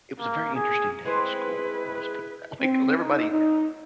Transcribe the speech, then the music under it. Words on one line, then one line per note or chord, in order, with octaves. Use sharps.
it was a very interesting day at school, I'll just put it that way, 'cause everybody
A#3
G#4
G#3 C4 E4 G#4 B4
C4
D#4
D#4